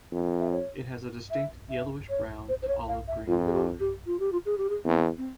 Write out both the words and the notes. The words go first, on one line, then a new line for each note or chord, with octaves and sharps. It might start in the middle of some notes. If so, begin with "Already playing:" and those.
It has a distinct yellowish-brown to olive-green colour.
F2
E5
C#5
E5
E5
C#5
C5
C5
C#5
F5
E5
F2 F4
G#4
G4
G4
F4
G4
F4
G#4
G4
G#4
E2 C4
C4